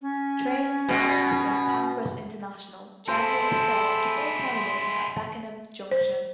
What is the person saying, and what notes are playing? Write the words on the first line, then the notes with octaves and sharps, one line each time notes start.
Trains via Saint Pancras International generally start or terminate at Beckenham Junction.
C#4
B2
G#3 E4 A4 C5
C5